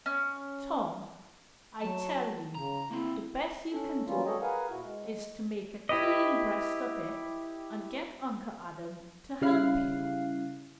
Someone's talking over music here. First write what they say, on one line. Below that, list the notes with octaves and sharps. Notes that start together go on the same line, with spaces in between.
"Tom, I tell you the best you can do is to make a clean breast of it and get Uncle Adam to help you."
C#4
F#3 A5
C#3 A#5
A#3 C4 E4
C#4 A4
E3 F#3 G3 A#3 C#4 F4
G#3 A4 C#5 D#5 G5
G#4 A#4 B4 F5 F#5 G#5
A#2 E4 F#4
G#3
E4 G4 B4 D#5
C#3 G3 E4 F5 F#6 C7